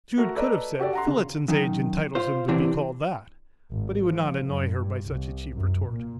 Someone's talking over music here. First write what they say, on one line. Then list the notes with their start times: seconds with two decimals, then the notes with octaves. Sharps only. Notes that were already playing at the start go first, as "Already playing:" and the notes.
Jude could have said "Phillotson's age entitles him to be called that!" But he would not annoy her by such a cheap retort.
0.18 A3 F#4 A#4
0.36 A4 B4 D5 D#5 A#5
0.79 F#4 G4 A4 D5
0.93 F#5 A#5 C6
1.07 C#3
1.48 F#2 D#3
2.15 F4 C5
2.48 C3 E3 C4 D4
3.71 G#1
4.03 F3
4.46 F#2
4.80 G2
5.08 C2
5.54 F#2
5.85 A#2